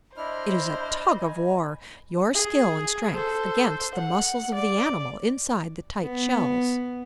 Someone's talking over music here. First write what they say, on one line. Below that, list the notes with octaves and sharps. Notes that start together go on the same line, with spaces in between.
It is a tug-of-war, your skill and strength against the muscles of the animal inside the tight shells.
D4 E4 C5 D#5 B5 F6
G#5
G#4
A4 C5
F#5
D5
B3